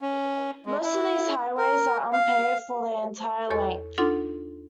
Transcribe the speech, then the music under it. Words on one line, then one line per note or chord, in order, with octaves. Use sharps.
Most of these highways are unpaved for their entire length.
C#4
G#3
E4
A#4
F5
E2 A4 C#5 C#6
D4 D#4 F4 A4 F#5 C6